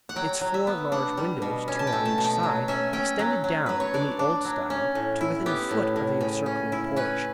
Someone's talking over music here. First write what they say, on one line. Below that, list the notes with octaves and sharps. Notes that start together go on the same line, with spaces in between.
Its four large windows, two on each side, extended down, in the old style, to within a foot of the encircling porch.
F#5
F#3 G5
F#3
E5
B3
D4 F#5
G3
B2
C#4
A5
G5
A3
A5
B2
G5
F#3
C#4 E5
C#4 G5
F#3
F#3
F#3 B4
C#5
D4 D5
D4
F#3
C#4
A2
E4
B3 G4
A2
A2
C#3
C#4
E4
C#4 B4